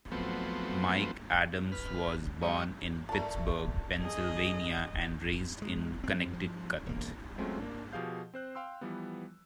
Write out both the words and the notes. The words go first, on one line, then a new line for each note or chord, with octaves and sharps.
Mike Adams was born in Pittsburgh, Pennsylvania and raised in Connecticut.
F3 F#3 A3 B3 C4
B4 F6
G3 D#5 C#6
D3 G3 A3 A#4 A5
G#4 D#5
G#3
F2 C4
F3
E1 A#3
F#3 G#3 A3 C4 C#4 F4
A#3 D4
B2 F3 G4 G#4 F5 G6
C4 C5 F#6
F5 G5 C6 E6
E3 F3 G3 B3